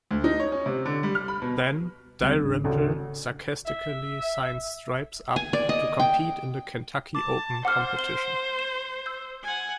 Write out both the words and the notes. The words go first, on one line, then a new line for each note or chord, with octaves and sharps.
Then, Dalrymple sarcastically signs Stripes up to compete in the Kentucky Open competition.
D2
D#4
C#5
C#4
C3
D3
G3
F6
B5
B2
C#2 G3 C4
G#1 D4
A1 D2 C#3 C#4
E5
G#5
D5
D#5
G5
A5 D6
C5 F#5 D6 F6
G7
E7
E6 G6
F#5 G#5